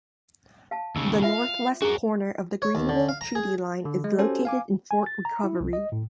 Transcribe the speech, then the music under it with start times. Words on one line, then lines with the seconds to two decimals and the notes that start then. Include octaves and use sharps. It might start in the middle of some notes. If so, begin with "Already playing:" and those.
The northwest corner of the Greenville Treaty Line is located in Fort Recovery.
0.71 F5 A5
0.96 D#2 C#3 E6
1.23 F4 E5 F5 G#5
1.82 D4 F#4 G#4 A#4
2.62 C#5
2.75 D#2
2.89 D3
3.09 F5
3.21 A#5
3.35 G#4
3.85 D3
4.04 G#3
4.19 C#4 F#4 G4 A4 C5 G#5
4.45 F5 G#5 D6
4.91 G#5
5.06 A6
5.25 A#5
5.44 E4
5.60 C2
5.73 D#5
5.92 A2